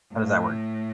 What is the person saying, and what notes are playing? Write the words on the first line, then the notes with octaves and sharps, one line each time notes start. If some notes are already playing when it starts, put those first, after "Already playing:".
How does that work?
A2